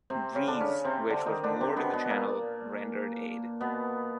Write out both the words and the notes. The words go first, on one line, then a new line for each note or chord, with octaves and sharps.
"Breese", which was moored in the channel, rendered aid.
C3 C4
C#3 C#4
D3 D4
C#3 C#4
C3 C4
D3 D4
D#3 D#4
D3 D4
C3 C4
B2 B3
B2 B3
A#2 A#3
B2 B3